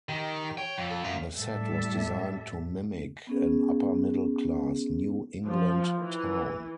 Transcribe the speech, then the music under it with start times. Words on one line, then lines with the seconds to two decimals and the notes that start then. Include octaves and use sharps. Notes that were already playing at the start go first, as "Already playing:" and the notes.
The set was designed to mimic an upper-middle class, New England town.
0.09 D#3 G4
0.58 C#5 G5
0.78 F2
0.90 A4
1.04 F#2 F5
1.37 A2 G3 A4 E5
3.27 B3 C#4 G#4
5.48 F3
5.99 E3